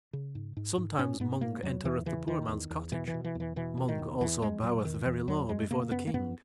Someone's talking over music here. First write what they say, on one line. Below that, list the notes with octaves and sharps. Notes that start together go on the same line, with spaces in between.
Sometimes Mung entereth the poor man's cottage; Mung also boweth very low before The King.
C#3
G#2
G#2
G#2
G#2 C#4
G#2 B3
G#2 A#3
E2 F#3
E2 E3
C#3 E3
E2 D#3
E2
E2
B2 E3
E3
B2
E3
E2 E3
B2 E3
B2
D#3
E2
E2 E3
E2 G#3
B2 F#3
E2 D#3
E2 E3
E2 F#3
F#2 G#3
C#3 A#3
F#2 B3
A#3
F#2 B3